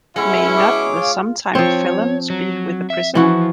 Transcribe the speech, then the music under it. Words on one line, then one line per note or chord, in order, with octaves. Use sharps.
May not the sometime felon speak with a prisoner?
B2 G#3 C#4 E4 F#5
G#4 C#5 D6
F4
F3 C4 C#5
F#3
E5
E3 F3 F#4